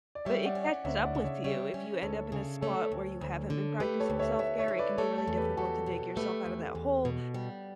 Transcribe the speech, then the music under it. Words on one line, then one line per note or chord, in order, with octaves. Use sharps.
but it catches up with you. If you end up in a spot where you haven't been practicing self-care, it can be really difficult to dig yourself out of that hole
D5
G3 C#5 E5
D5 F#5
C#4
D5 F#5
D2 C#5 E5
D5 F#5
C#3
C#5 E5
G3 C#5 E5
C#4
D2 A4 C#5
C#3
A3 A4 C#5
D2
D2
D3
A3 G4 B4
A4 C#5
D2
C#5 E5
D2 C#5 E5
C#5 E5
D3
B4 D5
A3 A4 C#5
A4 C#5
E2
G4 B4
E2 F#4 A4
B2
A3 G4 B4
E2
E2
B2
G3